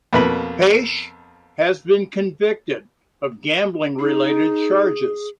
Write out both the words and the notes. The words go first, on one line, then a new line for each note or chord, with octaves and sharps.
Paetsch has been convicted of gambling-related charges.
F2 B2 A#3 B4 B5
D#4 G#4